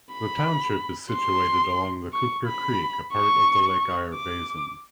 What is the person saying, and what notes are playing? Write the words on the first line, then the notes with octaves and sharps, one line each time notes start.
The township is situated along the Cooper Creek, apart of the Lake Eyre Basin.
B5
C6
C#6
B5
C#6
D6